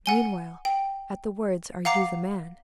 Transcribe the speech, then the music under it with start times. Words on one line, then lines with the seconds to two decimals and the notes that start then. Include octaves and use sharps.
Meanwhile, at the words, Are you the man?
0.06 F#5 G#5 G7
0.65 G5
1.85 F5 F#5 A#5 D6 C7